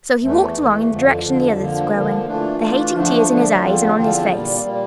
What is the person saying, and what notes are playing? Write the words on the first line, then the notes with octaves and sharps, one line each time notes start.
So he walked along in the direction the others were going, the hating tears in his eyes and on his face.
E2 E3 A3
E2 E3 A3
F2 D3 F3
F2 D3 F3
D3 F3 A#3
D3 F3 A#3
E3 A3 D4 F4
E3 A3 D4 F4
D3 F3 A3 D4
D3 F3 A3 D4
E2 D3 F3 C4 F4
E2 D3 F3 C4 F4
A#2 G3 A#3
A#2 G3 A#3